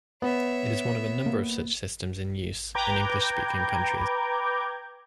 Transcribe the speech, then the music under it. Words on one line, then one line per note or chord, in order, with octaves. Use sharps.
It is one of a number of such systems in use in English-speaking countries.
B3 C#5 E5
A#3
B4 G5 A#5 D6 G6 G#6